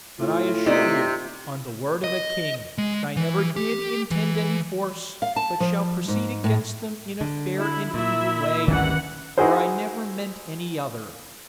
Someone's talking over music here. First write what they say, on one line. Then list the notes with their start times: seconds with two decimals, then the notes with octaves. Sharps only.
But I assure you, on the word of a king, I never did intend any force, but shall proceed against them in a fair and legal way; for I never meant any other.
0.20 A2 F4
0.66 C3 D#4 D5
2.04 D#5
2.78 G#3
3.17 E3
3.56 G4
4.11 E3
5.22 F5
5.36 A5
5.60 F3
6.08 G#2
6.44 A2
7.21 D3
7.59 E4
7.94 A#2 E4 E5
8.68 G#1 D2 G2 D#3 E3 C#4 F#5
9.38 D#4 E4 F#4 G#4 C5